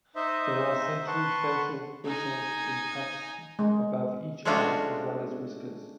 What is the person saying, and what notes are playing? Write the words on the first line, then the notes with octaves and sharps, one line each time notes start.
There are sensory facial bristles in tufts above each eye as well as whiskers.
D#4 C5 D#5 E5
B4 F#5 A5 C6 C#6
D#4 G#5
G#3
G#3 A3 C#4 D4 F4 F#4